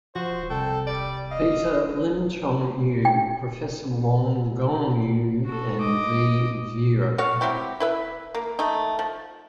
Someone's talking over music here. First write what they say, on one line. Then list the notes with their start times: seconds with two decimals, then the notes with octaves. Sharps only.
Peter, Lim Chong Eu, Professor Wang Gungwu, and V. Veerapan.
0.15 F3 F#4 C5
0.50 C2 A4 G5
0.87 G3 D5
1.31 D#5 F5
3.05 G5
5.46 F#4 A4
5.80 D#5 D6
7.18 F#4 C#5 F5
7.41 F#3 C4 E4 G4
7.80 E4 B4 E5
8.35 A#3
8.59 A3 D#4
8.99 F3